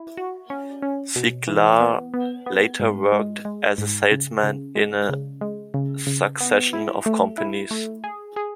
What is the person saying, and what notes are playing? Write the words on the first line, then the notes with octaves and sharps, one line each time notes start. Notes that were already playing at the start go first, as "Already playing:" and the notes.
Ziglar later worked as a salesman in a succession of companies.
Already playing: E4
F#4
C#4
C#4
B2
E3
B3
B3
B3
G#2
G#3
G#3
G#2
C#3
C#3
G#3
C#3
G#3
C#3
C#3
B3
E4
A3
E4
A3
G#4
G#4